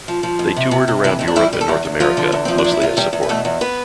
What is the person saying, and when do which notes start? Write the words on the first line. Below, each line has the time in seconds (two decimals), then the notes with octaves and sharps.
They toured around Europe and North America, mostly as support.
0.08 F3
0.23 F3
0.39 F2
0.56 C3
0.71 C3
0.88 C3
1.04 F2 E3 E4
1.19 F2 C4
1.28 D4
1.36 E3 G3 E4
1.53 G3 B4
1.61 A4
1.68 E2 G3 G4
1.85 E2
2.00 E2 F3 F4
2.17 D3
2.32 E2
2.45 F3 C4
2.58 D4
2.64 E2
2.71 E4
2.81 E2 F4
2.97 E2 G3 G4
3.13 E2
3.23 B4
3.29 B2 A3 A4
3.45 E2
3.61 B3 B4